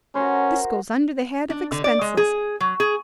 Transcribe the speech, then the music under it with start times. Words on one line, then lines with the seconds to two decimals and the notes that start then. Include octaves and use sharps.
This goes under the head of expenses.
0.15 C#4 F#4 A#4 C5
1.50 D4
1.72 D3
1.84 D5
2.01 G#3
2.17 G#4
2.60 F#3
2.80 G#4